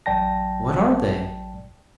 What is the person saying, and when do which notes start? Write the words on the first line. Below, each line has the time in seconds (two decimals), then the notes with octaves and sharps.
What are they?
0.06 A1 F#3 D5 G5 A5 A#6